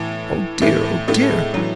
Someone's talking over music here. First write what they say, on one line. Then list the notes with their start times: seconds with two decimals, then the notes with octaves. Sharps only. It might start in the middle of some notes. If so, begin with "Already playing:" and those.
Oh, dear, oh, dear!
Already playing: A2 E3
0.62 A2 E3 A3
1.08 A2 A3
1.22 A3
1.30 G#3
1.54 A2 E3 F#3